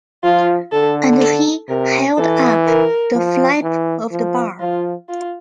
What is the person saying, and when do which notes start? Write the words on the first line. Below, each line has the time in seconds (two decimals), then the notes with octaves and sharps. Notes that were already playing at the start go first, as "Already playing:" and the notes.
And he held up the flap of the bar.
0.24 F3 F4
0.72 D3 A4
1.21 A4
1.69 C3 A#4
2.18 E3 A4
2.66 A#4
3.15 F3
3.63 E3
4.11 F3
4.60 F3 F4
5.09 F4